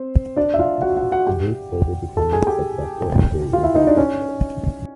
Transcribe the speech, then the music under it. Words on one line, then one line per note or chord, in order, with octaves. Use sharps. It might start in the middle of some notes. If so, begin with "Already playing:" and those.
Gates later became a successful interior decorator.
Already playing: C4 C5
D4 D5
E5
F4 F5
F#4 F#5
F#4 F#5
F#4 F#5
G4 G5
A4 A5
G#4 G#5
G4 G5
F4 F5
E4 E5
D#4 D#5
D4 D5
C#4 C#5